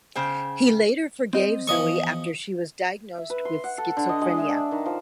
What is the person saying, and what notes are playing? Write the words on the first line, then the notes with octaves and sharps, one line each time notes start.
He later forgave Zoe after she was diagonised with Schizophrenia.
C#3 C5 G5
C4 D#5
E2 F3 D#5 C#6
E5
B4
C6
F#5
A4
D3
D#5
G#3
E5
D4
D#3
F3